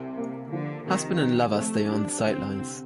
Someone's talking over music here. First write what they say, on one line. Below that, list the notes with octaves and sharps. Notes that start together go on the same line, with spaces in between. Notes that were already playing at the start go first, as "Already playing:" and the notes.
Husband and lover stay on the sidelines.
Already playing: C2 C3
A#3
D3 F3
C3 D#3
F2
A3 C4
G3 D4
D3 C4
C3